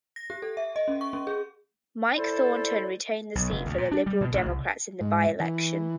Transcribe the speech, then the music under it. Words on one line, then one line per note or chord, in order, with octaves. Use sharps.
Mike Thornton retained the seat for the Liberal Democrats in the by-election.
A#6
G4
A4
E5
D#5
C#4
C#6
C#4
G#4
E4 A4 C5 D5
B1
F1
D2
A#2
D4
G3
B2
A1
C2
G#2
E3